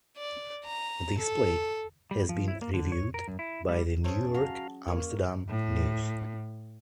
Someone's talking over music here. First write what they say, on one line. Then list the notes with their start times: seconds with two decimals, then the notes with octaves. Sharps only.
This play has been reviewed by The New York Amsterdam News.
0.17 D5
0.66 A#5
1.18 A4
2.11 G3
2.29 F3
2.48 E4
2.62 A#3
2.74 D3
2.92 C#5
3.14 A#4
3.28 F#2
3.39 E4
3.69 G3
4.04 E3 C#4 G#4 C5 C#5 A5
4.34 F#3 F#4 F5 A#5
4.88 A#3 A#4 C#5
5.49 A2